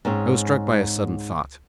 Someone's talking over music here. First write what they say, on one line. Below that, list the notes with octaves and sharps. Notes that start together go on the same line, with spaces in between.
I was struck by a sudden thought.
G#2 C4 C#4 G#4